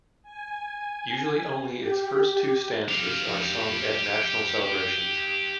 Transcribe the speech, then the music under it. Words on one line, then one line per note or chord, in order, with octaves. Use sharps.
Usually only its first two stanzas are sung at national celebrations.
G#5
G4
G4 F5